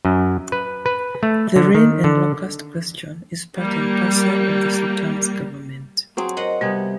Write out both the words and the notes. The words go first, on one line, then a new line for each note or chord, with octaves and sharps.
The rain and locust question is part and parcel of the sultan's government.
F#2
B4
B4
A3
D3
D#3
D3
G3 A#3
F#3 C4 G#4
A#4 C5 D#5 F#5
C3 G3 B3 G#5 G#6